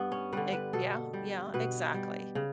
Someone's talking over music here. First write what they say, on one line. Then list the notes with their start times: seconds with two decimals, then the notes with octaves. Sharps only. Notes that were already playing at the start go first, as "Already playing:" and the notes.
E yeah, yeah, exactly.
Already playing: G2 B3
0.12 C#4
0.32 D3 G3 B4
0.53 B4
0.73 B2 A4
1.13 G3
1.54 B2 B4
1.94 G3
2.35 C#3